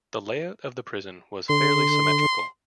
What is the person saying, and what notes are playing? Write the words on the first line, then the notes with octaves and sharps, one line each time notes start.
The layout of the prison was fairly symmetrical.
D3 C6